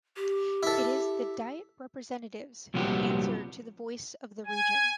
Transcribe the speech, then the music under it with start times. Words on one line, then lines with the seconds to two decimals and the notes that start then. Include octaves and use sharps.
It is the Diet representatives who answer to the voice of the region.
0.17 G4
0.63 E4 A4
2.74 C2 A#2 F3 F#3 B3 G4
4.46 G#5